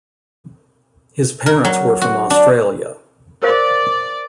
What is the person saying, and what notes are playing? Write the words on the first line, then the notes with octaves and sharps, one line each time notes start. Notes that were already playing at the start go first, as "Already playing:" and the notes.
His parents were from Australia.
A#4
F#3
F#4
D4
A#4 C5 D5 F5